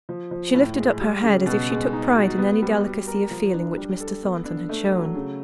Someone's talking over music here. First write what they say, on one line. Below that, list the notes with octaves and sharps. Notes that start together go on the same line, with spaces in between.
She lifted up her head, as if she took pride in any delicacy of feeling which Mr. Thornton had shown.
F3
F3
A2
G#3
G3
C#3
B2
G#3
D#4
F#4
B3
G3
F#4
A#4
F3
D4
G3
A4
B3
D4
A3
F#3
C#3